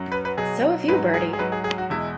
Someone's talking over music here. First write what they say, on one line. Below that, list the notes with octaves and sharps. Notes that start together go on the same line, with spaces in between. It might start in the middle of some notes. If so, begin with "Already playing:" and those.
So have you, Bertie.
Already playing: F#2 F#3
B4
B4
B2 F#3 G#4
G#2 F#3 B4
G#4
G#4
G#2 F#3 B4
G#4
G#4
F#4
E2 B2 G#3 E4